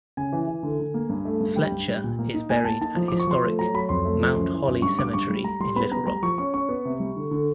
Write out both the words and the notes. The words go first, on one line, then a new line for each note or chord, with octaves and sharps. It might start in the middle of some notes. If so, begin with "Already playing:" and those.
Fletcher is buried at historic Mount Holly Cemetery in Little Rock.
C#3 G#5
E3
E3
D3
D3
A#3
G2
A3
G2
G3 G5
G2
G3
A#2
A#3
D#4
A#3 G#5
A#3 A5
D#4 A5
F3
F3 D6
C#6
F3 C6
A3
F#3 A#5
F#3 B5
F2 C6
A3
F3
F#2
E3
F#2
G2 C#6
G2 D6
G2 C#6
G3
G3 A#5
G3 C6
B3 B5
B3 A#5
G3 A#5
F3 C#6
C#4 C#6
C#4 C#6
B3
C3
G3
D3
D3